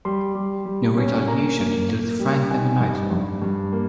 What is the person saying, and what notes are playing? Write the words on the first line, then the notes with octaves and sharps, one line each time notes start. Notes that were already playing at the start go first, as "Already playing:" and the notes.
In retaliation, he kills Frank at a night club.
G3 C6
G3
G3
C#4
A#3 A#5
A#3
A#3
G3
D#4 G#5
G2
G2
G2
A#3